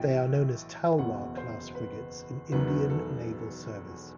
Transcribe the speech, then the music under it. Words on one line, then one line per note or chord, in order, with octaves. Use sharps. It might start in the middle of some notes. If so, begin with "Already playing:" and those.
They are known as "Talwar"-class frigates in Indian naval service.
Already playing: B1 A2 E3 G5
F#1 E2 B2 F#5
C5
B4
E1 E2 D#3 F#3 B4
A4